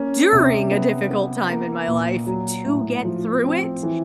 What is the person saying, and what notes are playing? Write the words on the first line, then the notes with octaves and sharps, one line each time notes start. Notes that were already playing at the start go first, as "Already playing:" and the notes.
during a difficult time in my life to get through it
Already playing: A#3 C#4
C3
B3
B3
A#3
A#2
F#3
A2
F3
C4
E3